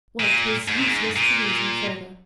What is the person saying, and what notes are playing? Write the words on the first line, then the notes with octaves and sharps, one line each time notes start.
Well, it was useless to reason further.
A#2
G#2
A#2
G#2
A#2